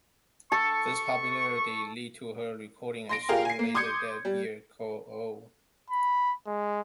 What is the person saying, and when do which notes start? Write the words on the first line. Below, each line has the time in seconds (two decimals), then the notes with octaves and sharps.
This popularity led to her recording a song later that year called Oh!
0.52 A4 C#6
3.09 C6 A#6 D7
3.29 F4 G4 G#4 A#4 F5
3.45 G#5 C7
3.59 A#3
3.75 C6 D6 D#6 G6 G#6 C#7
4.25 G3
5.90 B5
6.47 G#3